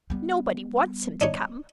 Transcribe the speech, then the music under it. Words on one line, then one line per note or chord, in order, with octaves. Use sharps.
Nobody wants him to come.
G3 B3
D4 D#4 C#5